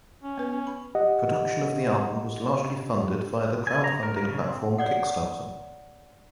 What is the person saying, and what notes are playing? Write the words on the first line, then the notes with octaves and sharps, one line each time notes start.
Production of the album was largely funded via the crowdfunding platform Kickstarter.
C#4
B3 B4
C#4
B5
G4 D#5 F#5
G#5
A#5
A#4
A#4
C#3
C4
C#5 D5 F#5